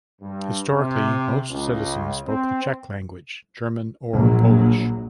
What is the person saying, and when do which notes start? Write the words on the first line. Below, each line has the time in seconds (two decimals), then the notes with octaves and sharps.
Historically, most residents spoke the Czech language, German, or Polish.
0.22 G2
0.70 C3
1.50 C#2
2.27 C4
4.12 A#1 F#3